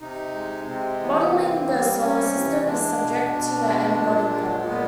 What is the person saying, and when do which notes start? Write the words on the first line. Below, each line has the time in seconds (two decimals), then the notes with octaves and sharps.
Modeling the Solar System is subject to the n-body problem.
0.01 C3 D#4
0.34 G#3
0.67 C3 C4
1.00 E3 B3
1.34 A#3 C4
1.67 G3
2.00 C3 C#4
2.34 E3
2.66 G#3 D4
3.01 B2
3.33 B2
3.66 G#3
4.00 A#2
4.32 G#3
4.66 A#2 B3